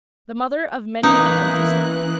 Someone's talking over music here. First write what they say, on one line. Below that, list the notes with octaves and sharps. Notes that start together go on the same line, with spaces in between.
The mother of many an empty stomach.
E3 A#3 C#4 D#4 E4 A#4 B4 F#6